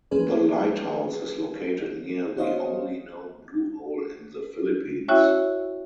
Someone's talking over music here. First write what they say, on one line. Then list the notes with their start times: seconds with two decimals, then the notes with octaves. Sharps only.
The lighthouse is located near the only known blue hole in the Philippines.
0.11 E3 F3 A#3 C#4 G#4 B4
2.36 B3 F#4 C5 C#5 D#5 F5
5.08 C#4 E4 F#4 C#5 E5 G5